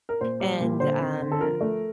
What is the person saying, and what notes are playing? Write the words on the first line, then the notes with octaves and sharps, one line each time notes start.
and, um,
A#4
A#2 C5
G3
A#2
D3 C5
C4
D3
A4
F3 A#4
A3